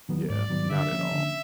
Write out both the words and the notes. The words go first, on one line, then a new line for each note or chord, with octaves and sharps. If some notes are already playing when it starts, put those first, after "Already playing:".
Yeah, not at all.
D#3 F#3 B3
G#2 D5
D#3 F#3 B3
D3 E5
F3 A#3 C#4
D3